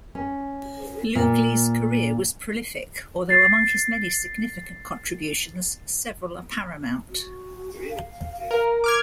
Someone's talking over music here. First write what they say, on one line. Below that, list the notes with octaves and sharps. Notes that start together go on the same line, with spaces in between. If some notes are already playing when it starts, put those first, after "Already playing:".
Lugli's career was prolific, although among his many significant contributions, several are paramount.
C#4
A#2
A6 C7
F#4
F5
A#4
D6 F6 G#6